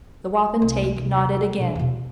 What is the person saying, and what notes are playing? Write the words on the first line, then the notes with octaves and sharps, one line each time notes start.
The wapentake nodded again.
C2
A3
D#2 C3
B2 D4
E2 B2